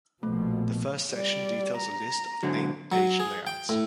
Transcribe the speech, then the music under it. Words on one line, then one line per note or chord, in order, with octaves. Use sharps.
The first section details a list of named page layouts.
A#1 B2 F3 A3
G3 D5
A#5
G#2 D3 F#3
F#3
G#4
G5
A2